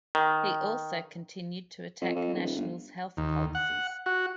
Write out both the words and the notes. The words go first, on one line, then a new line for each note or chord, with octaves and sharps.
He also continued to attack National's health policies.
D#3
F2
F2
D#1
G1
D#2
F#5
F#4